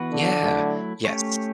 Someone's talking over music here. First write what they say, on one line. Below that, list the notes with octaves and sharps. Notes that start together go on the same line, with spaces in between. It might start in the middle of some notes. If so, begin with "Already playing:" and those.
Yeah. Yes.
Already playing: E3 B3 F#4 B4
D3
F#3 A3 E4
A3 C#4 G4 C#5